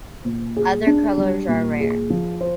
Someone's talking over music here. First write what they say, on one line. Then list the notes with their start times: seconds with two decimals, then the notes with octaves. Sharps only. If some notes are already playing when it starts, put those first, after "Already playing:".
Other colors are rare.
0.25 A#2
0.57 G#4
0.87 D4
1.18 G3
1.48 A#2
1.80 G#4
2.10 F3
2.41 C5